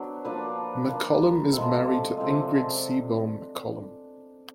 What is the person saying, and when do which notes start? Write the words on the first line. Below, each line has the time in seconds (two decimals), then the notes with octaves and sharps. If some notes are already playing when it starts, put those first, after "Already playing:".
McCollum is married to Ingrid Seebohm McCollum.
Already playing: F#3 B3 D4 C5
0.25 F3 A#3 D4 B4
0.89 F3 A#3 D4
1.53 C3 F3 G#3 A4
2.17 C3 F3 G#3